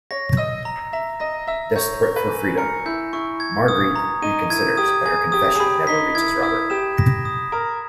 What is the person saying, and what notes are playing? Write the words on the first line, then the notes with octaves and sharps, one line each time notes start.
Desperate for freedom, Marguerite reconsiders, but her "confession" never reaches Robert.
C#5 A#6
D#5 E6
A#5
E5 A#5
D#5 A#6
E5 E6
C#5 G6
C#6
B4
G#5
A#4 C#7
E4 G6
E4 C#6
G#6
D#6
A#5
D#4 D#7
E4 G#6
G4 D#6
G#4 G#6
G4 D#6
G#4
G4 B5
D#4 B6
E4 G#6
E4 D#6
G4 E7
A#6
D#6
A#4 D#6